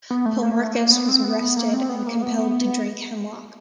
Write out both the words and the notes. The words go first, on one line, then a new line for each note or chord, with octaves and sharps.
Polemarchus was arrested, and compelled to drink hemlock.
B3
A3
A#3
A3
A#3
B3
C4
B3
B3
A#3
C4
B3
A#3
B3
B3
B3